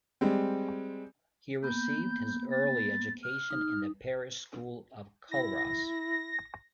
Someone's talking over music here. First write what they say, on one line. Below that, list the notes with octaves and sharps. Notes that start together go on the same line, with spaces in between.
He received his early education in the parish school of Culross.
G3 G#3 C4
A#3 B3 G6
A6
F6
D#4
E4 A#6